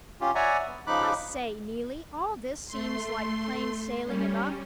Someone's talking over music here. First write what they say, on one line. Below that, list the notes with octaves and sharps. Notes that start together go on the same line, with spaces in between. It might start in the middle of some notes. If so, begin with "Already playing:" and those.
I say, Neelie, all this seems like plain sailing enough.
C#4 F4 G4
C#5 D5 E5 F#5 G#5 A#5
B3
C#3 F3 D#4 B5 D6 F#6
A3 C6
G3 C#4